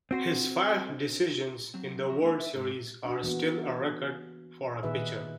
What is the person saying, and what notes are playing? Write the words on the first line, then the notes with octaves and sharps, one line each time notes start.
His five decisions in the World Series are still a record for a pitcher.
C4 F#4 C5
F#3 C4
F3 F#4
A3 B3
E5
G#2
D4 F#4
E3 A#3 B3 F#4
A#2 D#3 D#4 G#4 B4 E5